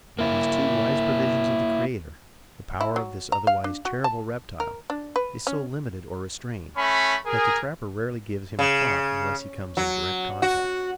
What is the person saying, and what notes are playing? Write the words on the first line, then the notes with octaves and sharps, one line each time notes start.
By these two wise provisions of the Creator the power of this otherwise terrible reptile, is so limited or restrained, that the trapper rarely gives him a thought unless he comes in direct contact.
A#3 E4
E4
F#3
A#5
F5
D4
F#4
A5
A#4
D4
B4
C#4
A3 C#4 B5
G#4 A#4
C#3
F#3
F#4